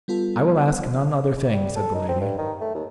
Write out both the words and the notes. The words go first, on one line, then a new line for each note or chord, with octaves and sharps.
I will ask none other thing, said the lady.
G3 B3 F4 A4
G3
A4
D#4
C4
G2
D#3
A3
D#2